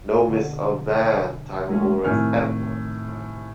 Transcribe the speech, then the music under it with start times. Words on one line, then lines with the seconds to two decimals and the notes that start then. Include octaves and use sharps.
No Miss Auvergne titleholder has ever won Miss France.
0.29 B2 D3
1.68 E3 G#3 A3 C#4
2.04 A2 C3 D#3 G#5 F6